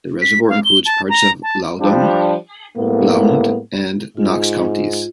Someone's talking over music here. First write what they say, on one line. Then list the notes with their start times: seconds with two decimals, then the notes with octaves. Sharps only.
The reservoir includes parts of Loudon, Blount, and Knox counties.
0.22 B6
0.49 F5
0.65 G7
0.86 A5
1.10 A#5
1.43 A5
1.81 F3 G3 D4
2.76 A2 G3 G#3 A#3 B3
4.17 G#2 F4